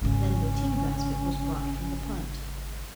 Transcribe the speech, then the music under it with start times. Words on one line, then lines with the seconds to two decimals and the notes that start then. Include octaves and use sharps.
Then the tea-basket was brought from the punt.
0.01 G#1 C#3 C#4